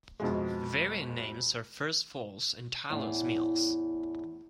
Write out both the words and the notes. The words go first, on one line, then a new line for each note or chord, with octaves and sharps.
Variant names are First Falls and Tyler's Mills.
F2 B2 G#3
E2 A2